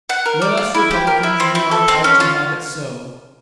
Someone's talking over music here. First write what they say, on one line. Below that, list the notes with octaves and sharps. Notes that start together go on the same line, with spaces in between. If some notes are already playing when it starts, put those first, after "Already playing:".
Let us Republicans do our part to have it so.
F#5
A#4
D5
F4
E4
G4
A#4
E4
C4
E4
A4
C4
C#4
F4